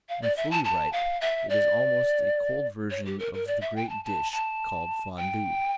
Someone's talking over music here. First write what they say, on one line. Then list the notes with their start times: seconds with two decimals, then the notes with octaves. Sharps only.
When fully ripe it is almost a cold version of the great dish called Fondue.
0.09 F5
0.22 D5
0.36 E5
0.51 A5
0.64 A5
0.92 F5
1.21 E5
1.49 D5
2.90 C#5
3.05 G4
3.19 A#4
3.33 A#4
3.47 D5
3.61 E5
3.76 G5
3.89 A5
4.04 A5
4.32 A5
5.17 G5